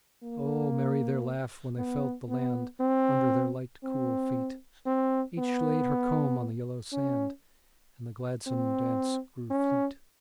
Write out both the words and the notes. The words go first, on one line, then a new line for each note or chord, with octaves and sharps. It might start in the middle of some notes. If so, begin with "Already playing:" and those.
O merry their laugh when they felt the land Under their light cool feet! Each laid her comb on the yellow sand, And the gladsome dance grew fleet.
A#3
B3
B3
C4
C4
C4
B3
C#4
C4
C#4